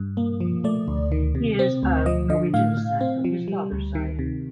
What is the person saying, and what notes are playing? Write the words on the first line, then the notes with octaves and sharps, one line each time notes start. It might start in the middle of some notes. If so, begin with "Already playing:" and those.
He is of Norwegian descent from his father's side.
Already playing: G2
A#3
F3
A3 D5
D2
D#3
C3
C4
D2
F3 D#5
D3 D#5
A2 F5
A2
C4
F3
G3
D2
D#3
C3